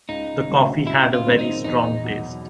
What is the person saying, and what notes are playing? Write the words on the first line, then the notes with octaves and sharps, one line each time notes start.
The coffee had a very strong taste.
C#2 D#4
C#3 F#3 A3 D4
F#2 E4
F4
D#3 G#3 C4
D#4
E2 D#4
B2 F#3